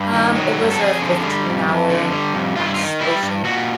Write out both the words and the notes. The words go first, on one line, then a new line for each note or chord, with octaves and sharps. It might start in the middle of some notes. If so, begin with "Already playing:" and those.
Um, it was a fifteen-hour, cross ocean,
Already playing: G2
D#3
F#3
G2
A4
F2 G#4
D3
G3
F2
F2
D3
G3
F2
G2 F4
E4
F4
D#3
G3 E4
G2
A#2 F#4